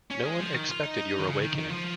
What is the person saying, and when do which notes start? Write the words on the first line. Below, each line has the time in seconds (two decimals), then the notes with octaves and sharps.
No one expected your awakening.
0.11 C#4
0.26 G#3
0.40 F3
0.55 D#3
0.69 F4
0.83 D#4
1.19 D#3
1.26 C#3
1.41 D#3
1.55 D#3
1.70 F3